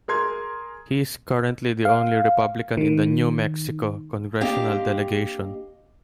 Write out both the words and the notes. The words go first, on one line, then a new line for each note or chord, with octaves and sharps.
He is currently the only Republican in the New Mexico Congressional Delegation.
G#4 A#4 C6 G#6
F5
D#3
A#3 C4 D4 G4 D#5 F5